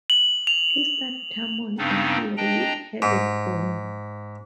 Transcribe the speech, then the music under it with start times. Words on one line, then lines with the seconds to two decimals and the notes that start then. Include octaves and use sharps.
He studied harmony and theory with Herbert Bourne.
0.10 F#7
0.47 F7
1.78 G2 C#3 B3 C4 D4 D#4
2.37 D4 D#5 G5 A#5
3.02 G#2